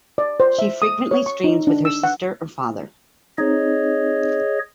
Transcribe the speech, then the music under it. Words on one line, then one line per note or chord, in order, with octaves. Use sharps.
She frequently streams with her sister or father.
D5
C5
E5
D#6
C#5
C#6
D#4
D4
E6
F#5
C4 D#4 G#4 C#5 D#5